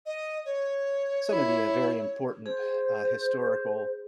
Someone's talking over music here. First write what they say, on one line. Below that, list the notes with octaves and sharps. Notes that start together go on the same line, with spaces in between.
some of the, uh, very important, uh, historical,
D#5
C#5
E4
G#4 C5